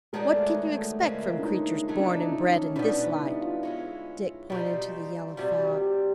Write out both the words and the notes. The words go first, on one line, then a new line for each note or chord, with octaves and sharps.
What can you expect from creatures born and bred in this light?' Dick pointed to the yellow fog.
D#3 F#3 G#3 B3 D4
A3
A3
A3
C#3 E3 G#3 A#3 C4
A#3
D4
D#4
C#3 F#3 A3 D#4
D4
D#4
D#4
D4
C#4
B2 G3 B3 D4
D#4
E4
F4
G#3 C#4 E4
B2 G3 C4 D#4
C3 D#3 G3 F#4
G4